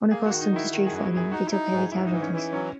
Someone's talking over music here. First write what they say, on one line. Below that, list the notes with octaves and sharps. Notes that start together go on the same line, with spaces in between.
Unaccustomed to street fighting, they took heavy casualties.
A#3 G#4
F#4
D#3
D#4
D#3 E4
D#3
G#4
F#2
F#4
F#2
G#4
D#4 F#4
E4
D#4
G#2
G#4
G#2 E4
D#4
E3
C#4
E3 E4
F#3 C#4